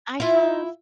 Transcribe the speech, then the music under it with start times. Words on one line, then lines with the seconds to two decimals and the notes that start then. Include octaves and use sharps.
I have
0.20 E4 F4